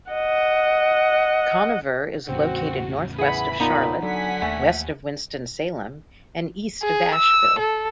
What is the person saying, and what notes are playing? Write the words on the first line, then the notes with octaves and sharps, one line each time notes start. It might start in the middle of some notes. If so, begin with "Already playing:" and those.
Conover is located northwest of Charlotte, west of Winston-Salem, and east of Asheville.
D#5 F#5
E2 A2 C#3 C4 F#4
E3 G#4 F#5 B5
A#2 B3 D#4
D3 F#3 F#5 G#5 B6
D#2 A3
G#4
E6
A4